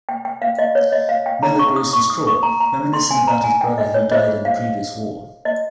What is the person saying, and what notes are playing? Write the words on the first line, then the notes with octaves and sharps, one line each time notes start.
Miller grows distraught, reminiscing about his brother who died in the previous war.
G5
G5
F5
D#5
C#5
D#5
F5
G5
D#4 G#4 C#5 A#5
C#6
D#6
C#6
D#6
C#6
A#5
A#5
C6
G#5
A#5
G#5
G5
D#5
C#5
F4 G#4 C5 D#5
F5
D#5